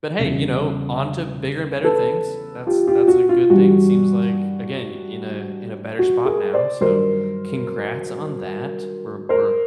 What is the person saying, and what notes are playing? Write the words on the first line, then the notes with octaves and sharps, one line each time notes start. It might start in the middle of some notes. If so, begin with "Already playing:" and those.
But, hey, you know, on to bigger and better things. That's that's a good thing, seems like, again, in a in a better spot now, so congrats on that. We're we're
E2 C#3 E3 G3
A4 B4
F4 G4
F4 G4
F#4
F4
G2 E3 G3 F#4
F#4
G#4 A#4
C5 D5
G2 D#3 F#3 A#4 C5
A#4 C5